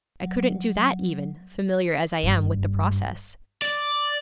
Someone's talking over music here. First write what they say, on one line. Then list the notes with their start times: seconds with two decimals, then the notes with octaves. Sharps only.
I couldn't do that even, familiar as I am with the process.'
0.20 F#3
2.23 F#1 G2
3.62 D5